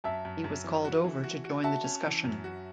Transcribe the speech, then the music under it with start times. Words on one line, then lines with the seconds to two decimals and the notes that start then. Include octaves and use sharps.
He was called over to join the discussion.
0.04 F#2 E5 A5
0.25 F#2
0.44 F#2
0.64 E3
0.85 F#4
1.05 E3
1.24 F#4
1.44 F#4
1.64 F#4 E5 A5
1.84 C#4
2.03 E3
2.24 F#2
2.44 F#4